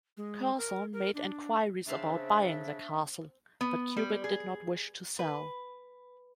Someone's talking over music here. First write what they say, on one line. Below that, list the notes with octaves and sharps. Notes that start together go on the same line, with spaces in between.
Curzon made enquiries about buying the castle, but Cubitt did not wish to sell.
G#3
A#4
A#4
D4
C#3 C4 D4 E5 F5 A5
B3
G3
G#4
B4